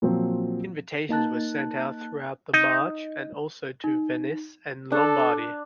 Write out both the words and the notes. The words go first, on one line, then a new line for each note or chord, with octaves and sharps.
Invitations were sent throughout the March and also to Venice and Lombardy.
A#2 F3 F#3 C4
A#3 D#4 A5 F#6
D#4
D#4
D4 A4